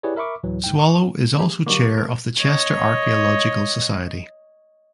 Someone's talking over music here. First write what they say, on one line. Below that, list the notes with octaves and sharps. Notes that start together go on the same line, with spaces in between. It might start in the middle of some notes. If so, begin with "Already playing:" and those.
Swallow is also Chair of the Chester Archaeological Society.
E4 G4 G#4 B4 C#5 D5
A#4 E5 B5 C#6 D6
D2 A2 E3 F#3
G1 G#2 G5
C#6
A#3 G4 G#4
D3 D#3 F#3 A#3 G4 C#6 D6
A3 A#4
C#5 D#5